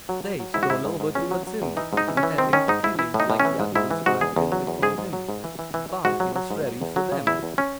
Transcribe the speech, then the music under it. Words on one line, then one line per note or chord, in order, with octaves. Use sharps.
They stole over towards him, intending to kill him, like the others who had been before him: but he was ready for them.
F#3
F#3
F#3
G#2 E4
F#4
G#2 E4
G#2
G#2
E2 C#4
F#3
F#3
E2
E3 D#4
G#2 D#4
E3
C#4
E3
D#3 C4
D#3 C#4
G#2 D#4
G#2 E4
E3 E4
A2
D#4
A2
C#4
E3
G#2
G#2 E4
E3
G#2 F#4
E2 G#4
E2
F#3
E2
G#2 G#4
G#2
F#3
G#2
E3
E3
E3
E3
G#2 F#4
F#3
F#3
G#2
F#3
E2
F#3
C#3
E2 E4
E2
C#4